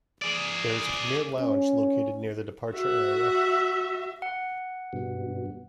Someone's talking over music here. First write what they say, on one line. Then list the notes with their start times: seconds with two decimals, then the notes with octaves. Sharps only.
There is a premier lounge located near the departure area.
0.22 G#4 D5
1.40 C#4
2.73 F#4 E5
4.22 F#5
4.93 G2 B2